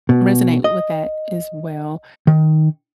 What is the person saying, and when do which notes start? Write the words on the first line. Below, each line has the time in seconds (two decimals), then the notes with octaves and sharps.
resonate with that as well.
0.09 B2
0.64 D#5
2.27 D#3